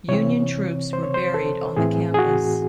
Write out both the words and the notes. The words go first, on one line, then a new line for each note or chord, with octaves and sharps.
Union troops were buried on the campus.
C3 E3 C4 C#5
C5
C#5
C5
A4
A2 E3 C4 G#4
G#4
F#4